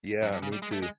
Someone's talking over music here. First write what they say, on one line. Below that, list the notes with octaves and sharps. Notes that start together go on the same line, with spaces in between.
Yeah, me too.
F#2
G2
C#3
G3
G#3
A3
G#3